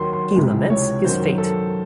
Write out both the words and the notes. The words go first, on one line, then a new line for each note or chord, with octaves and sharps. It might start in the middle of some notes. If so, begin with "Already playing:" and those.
He laments his fate.
Already playing: D#2 D#3 F#3 C6
C6
C#2 C3 E3 G#3
C#5
F#2 D#3 F#3 C5
A4